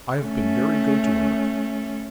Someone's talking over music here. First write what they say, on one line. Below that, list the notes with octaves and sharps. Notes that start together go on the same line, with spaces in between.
I have been very good to her.
A3 C#4